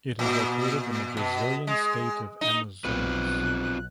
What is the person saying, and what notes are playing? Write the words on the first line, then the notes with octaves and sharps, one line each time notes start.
It is located in the Brazilian state of Amazonas.
A#2
B2
G#3
D#4
B1 C4 F4 B4 F#6